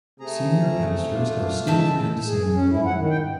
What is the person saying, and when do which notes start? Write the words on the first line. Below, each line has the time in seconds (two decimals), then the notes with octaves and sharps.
Senior pastors are Steve and Sandra Long.
0.20 C3 A3 G#4 A#5
1.14 D4 F4
1.67 C#3 G#3 E5 G5 A5
2.26 G#4
2.53 C#4
2.71 E4
2.85 F#5
2.97 D#3
3.10 G5
3.22 G2